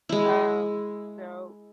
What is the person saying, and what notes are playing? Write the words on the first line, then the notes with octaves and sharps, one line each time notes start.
Um, so
G#3 E4